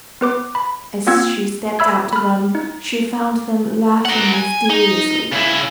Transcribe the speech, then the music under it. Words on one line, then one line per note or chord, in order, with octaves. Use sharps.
As she stepped out to them, she found them laughing mysteriously.
B3 B4 D6
B5
A#3 C4 F4 F#5 E6 G#6
E5 B5 E6 G#6
B5 F6
D#4
A#4 F#5
G#5
D#4
C#3 E4